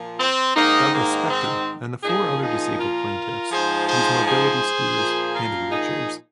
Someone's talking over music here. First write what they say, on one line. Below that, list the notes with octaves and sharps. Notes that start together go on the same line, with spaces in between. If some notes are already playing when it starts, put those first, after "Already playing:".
Douglas Spector and the four other disabled plaintiffs use mobility scooters and wheelchairs.
Already playing: A#2 F3
C4
G#2 D#3 A#3 D#4
A#3
C4
A#2 F3 D#4 G#4
D#4 G#4
F4 A#4
G#2 F3 G#4 C5
G#4 C5
G#4 C5
A#2 F3
F4 A#4
D#4 G#4